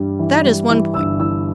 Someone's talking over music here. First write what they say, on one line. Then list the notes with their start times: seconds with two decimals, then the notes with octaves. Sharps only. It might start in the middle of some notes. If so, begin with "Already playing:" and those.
That is one point.
Already playing: G2 E3 G3
0.19 E3
0.44 G3
0.70 E3
0.94 G1 E6
1.19 E3 E6